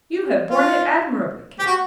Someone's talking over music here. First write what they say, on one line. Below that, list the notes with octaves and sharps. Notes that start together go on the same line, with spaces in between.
You have borne it admirably, Katy.
F4
G4
F#4